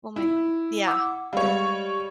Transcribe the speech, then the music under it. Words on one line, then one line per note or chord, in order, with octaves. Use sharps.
Oh, my g yeah.
E4
F#5 D6 E6
G3 G#3 C#5 F5